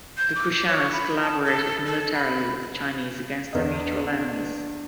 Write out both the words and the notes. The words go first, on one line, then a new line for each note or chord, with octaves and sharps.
The Kushanas collaborated militarily with the Chinese against their mutual enemies.
G6
D6
C#5
B5
A5
A4
A4
B5
E2 D4 D#5